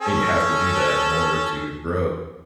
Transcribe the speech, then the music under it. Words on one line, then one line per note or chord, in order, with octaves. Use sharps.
and you have to do that in order to grow.
C#4 A4